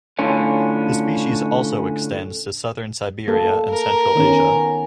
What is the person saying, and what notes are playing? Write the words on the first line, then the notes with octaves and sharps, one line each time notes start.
The species also extends to southern Siberia and Central Asia.
A2 D3 C#4 F4
A#3 A4
A#4
D#3 B3 C#4